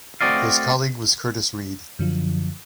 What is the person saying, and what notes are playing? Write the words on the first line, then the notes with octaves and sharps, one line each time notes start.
His colleague was Curtis Reid.
A3 C4 F#4 D5 D#5 F5
F#2 D3 F3